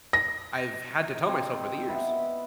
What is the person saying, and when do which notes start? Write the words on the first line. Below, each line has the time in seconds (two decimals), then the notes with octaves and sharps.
I've had to tell myself over the years,
0.13 A#6
1.25 C4 D#4
1.88 B3 E4 B4